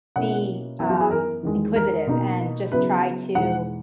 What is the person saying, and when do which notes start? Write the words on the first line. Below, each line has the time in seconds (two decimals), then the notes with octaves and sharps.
be, um, inquisitive and just try to
0.16 B2 A#3 C#4 E4 F#5
0.79 F#2 E3 B3 E5
0.90 F#4
1.01 G#4
1.11 A#4
1.43 E2 D#3 G#3
1.76 A#4
2.07 B2 A#3 D#4
2.72 C#3 F#3 B3 E4 B4
3.35 E2 B2 G#3 D#4 F#5